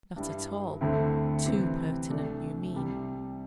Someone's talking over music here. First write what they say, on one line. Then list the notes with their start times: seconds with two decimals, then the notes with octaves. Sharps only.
'Not at all--too pertinent, you mean.
0.16 G2 G3 E4
0.81 D2 D3 A3 C4 E4
1.45 C3 E3 C4
2.09 C2 C3 A3 D4
2.74 C2 C3 G3